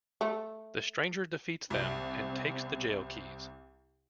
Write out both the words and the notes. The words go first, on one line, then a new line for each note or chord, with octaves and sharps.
The stranger defeats them and takes the jail keys.
A3
C2 C4